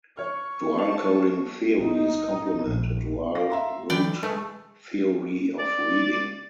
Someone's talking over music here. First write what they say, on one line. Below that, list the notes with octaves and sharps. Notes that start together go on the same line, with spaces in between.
Dual-coding theories complement a dual-route theory of reading.
C#5 C#6 F6
G#4 C5 A5
D#4
A#1
F5 A#6
E5 A#5 C6
D3 E3 F#3 D5 G5 B5
G#3 A3 G#4 B4
D5